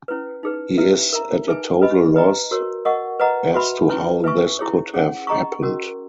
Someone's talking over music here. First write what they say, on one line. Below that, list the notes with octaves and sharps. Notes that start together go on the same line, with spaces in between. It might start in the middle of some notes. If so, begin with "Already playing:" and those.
He is at a total loss as to how this could have happened.
C#4 E4 B4
D#4 G#4 B4
E4 B4 E5
A#4 E5 A#5
D#4 G#4 B4 E5 G#5
B4 D#5 G#5 B5
B4 D#5 A#5
F#4 A#4 C#5
A#4 D#5 F#5 C#6
B4 D#5 F#5 A#5
F#4 B4 E5 B5
C#4 E4 B4
B4 E5 G#5 C#6
E4 G#4 C#5
C#4 G#4 C#5 F#5
G#4 D#5 A#5 C#6
C#4 F#4 A#4